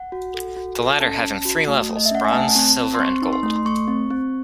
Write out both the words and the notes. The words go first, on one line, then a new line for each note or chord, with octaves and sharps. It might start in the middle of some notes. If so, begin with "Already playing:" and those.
The latter having three levels, Bronze, Silver and Gold.
Already playing: F#5
F#4
A4
F#4
A4
C#4 A5
C#4
F#4
A3
A3
D#5
E5
C#4 F#5
G#5
A3 A5
C4
C4
C6
C4 C#6
D#4
C6
A3
C6
A3 C#6
C4
C4